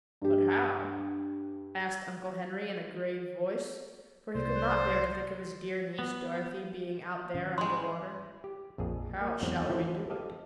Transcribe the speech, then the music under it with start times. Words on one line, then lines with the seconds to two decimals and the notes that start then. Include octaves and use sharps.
"But how?" asked Uncle Henry in a grave voice, for he could not bear to think of his dear niece Dorothy being out there under water; "how shall we do it?"
0.22 G2 G4
4.35 C2 C5 D5
5.99 B3
7.34 G#2 D#3 C#4
7.58 G3 G#3 C6
8.44 G4
8.78 A#1 F2 G#4
9.21 A#3
9.42 E2 G#2 F#3 C4
9.69 E3 F3 A3 C4 C#4 E4
10.10 G4 A4 D#5 F5